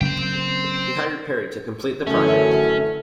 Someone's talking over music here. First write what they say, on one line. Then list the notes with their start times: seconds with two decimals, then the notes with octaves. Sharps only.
He hired Perry to complete the project.
0.01 C#3 F#3 A#3 C5 G5
2.07 F#2 D3 E3 A3 C#4